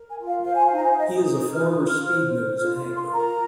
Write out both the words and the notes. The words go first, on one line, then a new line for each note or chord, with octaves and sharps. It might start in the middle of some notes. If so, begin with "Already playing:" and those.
He is a former "SpeedNews" anchor.
Already playing: A#4
G#5
F4
F5
C5 F5
G#5
F5
D#4 A#5
G#5
F5
D#4 D#5
D#6
D#4
D#6
F4 F6
D#6
F4
F6
C5 F6
C5
F4 F6
F4
C6
A#4 A#5